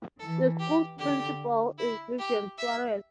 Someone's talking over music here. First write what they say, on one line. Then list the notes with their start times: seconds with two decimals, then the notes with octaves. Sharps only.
The school's principal is Vivian Suarez.
0.20 E3 A4
0.59 G4
0.99 D3 G4
1.78 E4
2.19 G4
2.58 E5